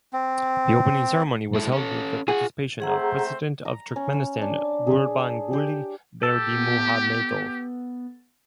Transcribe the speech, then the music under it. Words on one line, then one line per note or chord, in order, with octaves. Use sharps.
The opening ceremony was held with the participation of President of Turkmenistan Gurbanguly Berdimuhamedov.
C4
G#3 E4 A4
C#4 A4
F4 G#4 F#5
A3 C4 G#4 C5 F#5 A#5
A#5
C#4
D4
G#4
G4
G4 A4
B3